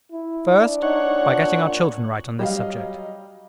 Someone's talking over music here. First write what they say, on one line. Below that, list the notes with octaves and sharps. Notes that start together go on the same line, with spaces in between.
First, by getting our children right on this subject.
E4
D4
D#4 C#5 F#5
A#2
F#3 G3 D#5 F5